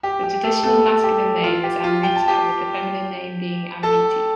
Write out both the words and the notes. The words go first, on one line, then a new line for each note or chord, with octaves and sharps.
The traditional masculine name is Amritha with the feminine name being Amrithi.
G4
G4
A3 A4
A3 A4
G4
F4
G4
F4
G5
A5
G4 G5
A4 A5